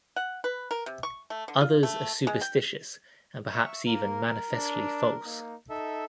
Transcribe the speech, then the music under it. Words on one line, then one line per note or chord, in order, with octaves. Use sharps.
Others are superstitious and perhaps even manifestly false.
F#5
B4
A#4
C3
C#6
A3
D3
F4
A3
G#3
G5
E5 C#6
A#3 A#4
D4
A#3 D#4
D#4 A4 E5